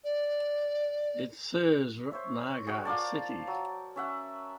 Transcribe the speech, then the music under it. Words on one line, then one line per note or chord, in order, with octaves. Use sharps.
It serves Rupnagar city.
D5
C5 C#5 E5
F#4 G#4
F4 A#4 D5 A5
F#3
C#4 E5 F#5